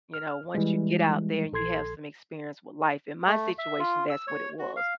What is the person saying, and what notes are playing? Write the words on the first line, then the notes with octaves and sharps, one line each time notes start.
you know, once you get out there and you have some experience with life. In my situation, that's what it was.
F6
E3 G3 G#3
A#1 A4 C6 G#6 C7
A3
E5
F4
E6
C#5
F#4
F5